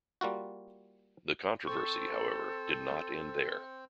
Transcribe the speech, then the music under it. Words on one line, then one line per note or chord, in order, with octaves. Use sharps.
The controversy, however, did not end there.
G3 A#3 F4 F#4
C4 A4 C5 C#6